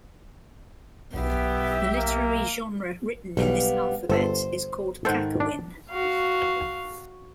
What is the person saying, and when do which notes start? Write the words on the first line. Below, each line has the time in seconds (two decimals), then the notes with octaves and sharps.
The literary genre written in this alphabet is called "Kakawin".
1.16 B1 B3 G4 E5
1.96 A#3
3.37 B1 G3 B3 F5
4.09 G1 A4 C5
5.05 G#2 D#3 A4 C5 F#5
5.40 D4
5.90 F#4 F5